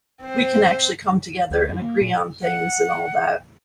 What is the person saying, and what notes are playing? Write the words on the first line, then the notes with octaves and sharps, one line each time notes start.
we can actually come together and agree on things and all that.
C4 C5
D2
F#2
A#3
A#2
F#5